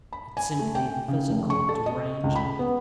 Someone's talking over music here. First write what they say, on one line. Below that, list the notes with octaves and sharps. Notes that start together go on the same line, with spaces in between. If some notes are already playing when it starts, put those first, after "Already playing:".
It's simply physical derangement.
B5
G#5
A3
G5
C#3
F1
C#6
A4
D#5
C#2
B5
B3